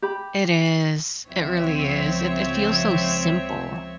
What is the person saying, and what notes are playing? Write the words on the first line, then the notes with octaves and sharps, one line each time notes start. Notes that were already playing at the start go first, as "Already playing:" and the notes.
It is, it really is. It it feels so simple
G4 B5
C#2 F3 C4 C#5 E5